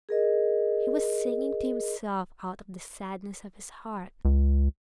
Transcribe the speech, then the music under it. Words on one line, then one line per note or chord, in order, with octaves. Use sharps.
He was singing to himself out of the sadness of his heart.
G#4 A#4 D#5
C#2